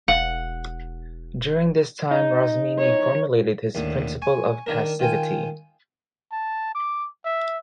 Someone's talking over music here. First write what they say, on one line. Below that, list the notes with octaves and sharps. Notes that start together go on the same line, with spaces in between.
During this time Rosmini formulated his "Principle of Passivity".
E1 F5 F#5
D#4
C#5
D#2 A2 D3
G#5 C#6
D#3 D4 A#4
D#3 F4 G5 G#5
A5
D6
E5